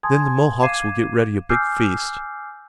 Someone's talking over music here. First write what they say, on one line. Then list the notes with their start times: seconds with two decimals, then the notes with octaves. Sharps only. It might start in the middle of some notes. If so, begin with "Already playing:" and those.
Then the Mohawks will get ready a big feast.
0.03 G#5 A5 C6 D#6 G#6
0.62 F5 D6 G#6 C7 D#7 E7
1.49 G#5 D6 E6 F6 G6 C7